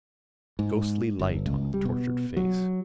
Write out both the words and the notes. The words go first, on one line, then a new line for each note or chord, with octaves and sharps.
Ghostly light on the tortured face.
G#2
G1
C#2
G3
B2
F#3